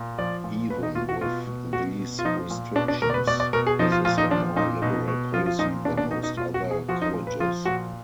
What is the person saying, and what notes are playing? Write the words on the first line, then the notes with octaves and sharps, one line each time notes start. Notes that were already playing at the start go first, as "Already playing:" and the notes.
Even with these restrictions, this is a more liberal policy than most other colleges.
Already playing: A#2
F3 D5
A#2
B2 B4
D#4
B2 F4
F#4
B2 F4
B2
B2 F#4
B2
F4
F3 D#4
A#2
B2 D4
D4
B2 A#4
D5
B4
B2 D5
D5
B2 A#4
G#4
F3 D#4
F4
A#2 F4
D#4
F3 D4
A#2 D#4
B2 D#4
B2
F3 F4
F4
A#2 D#4
B2 D4
D4
B2 D#4
D#4
B2 F4
F#4
B2
G#4
F3 F#4
D#4
A#2
B4
F3 F4
A#2 F#4